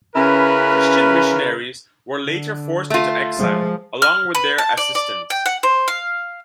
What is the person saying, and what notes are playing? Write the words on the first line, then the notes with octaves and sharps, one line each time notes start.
Christian missionaries were later forced into exile, along with their assistants.
C#3 C#4 E4 A#4 B4
D3
A3 F4
F3 G#3
F6
B4
A5
D5
D5
G5
F#5
C5
F5